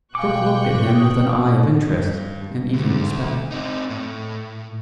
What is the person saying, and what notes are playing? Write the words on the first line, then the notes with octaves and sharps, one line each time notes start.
Crook looked at him with an eye of interest and even respect.
B2 F5 G5 G#5 C#6 D6 F#6 C#7
D#6
G2
D2
C4 D#4
A2